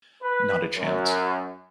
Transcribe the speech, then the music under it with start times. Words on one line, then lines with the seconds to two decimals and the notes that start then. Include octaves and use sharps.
Not a chance!
0.23 B4
0.75 F#2